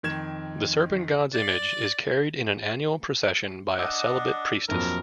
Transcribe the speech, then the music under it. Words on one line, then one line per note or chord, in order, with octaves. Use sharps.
The serpent-god's image is carried in an annual procession by a celibate priestess.
F2 D#3 G#6 E7
D5
D4 D#5 F#5 E6
A#1 F2 F#3 A#4